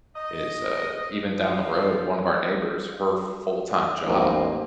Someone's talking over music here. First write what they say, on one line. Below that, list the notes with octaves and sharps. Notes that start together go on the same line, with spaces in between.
is, uh, even down the road, one of our neighbors, her full-time job
D#5
F3
A1 E2 G#2 A#3 C5